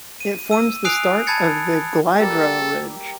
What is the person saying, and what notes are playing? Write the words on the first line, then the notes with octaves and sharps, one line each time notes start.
It forms the start of the Glyderau ridge.
D#7
E6 D#7
G#5 D#6 F#6 C7 D7 F7
A5 B5 G#6 A6 C#7
G3 A#3 A4 E6